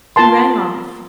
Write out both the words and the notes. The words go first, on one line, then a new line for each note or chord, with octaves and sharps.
He rang off.
F4 A#4 A5 C6